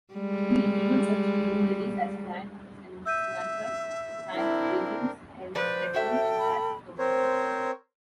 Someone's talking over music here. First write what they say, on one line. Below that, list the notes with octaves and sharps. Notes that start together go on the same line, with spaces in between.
He interviewed such luminaries as Frank Sinatra, Hank Williams, Elvis Presley, and Fats Domino.
G3 G#3
E5 E6 G6 D#7
C4 D4 E4 A#4
F3 B4 C5 D5
F#4 A4 E5 G5
B5
C4 A#4 C5 C#5